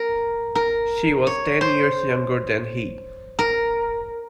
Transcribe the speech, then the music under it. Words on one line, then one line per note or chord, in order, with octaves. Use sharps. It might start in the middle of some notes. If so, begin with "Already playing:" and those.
She was ten years younger than he.
Already playing: A#4
A#4
C#5
C5
A#4